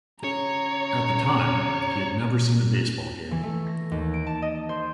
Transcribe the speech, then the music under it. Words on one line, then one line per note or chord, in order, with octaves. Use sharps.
At the time, he had never seen a baseball game.
C#3 C#5 A#5
E3
A3
A#6
D#2
D7
A5
D#5
C5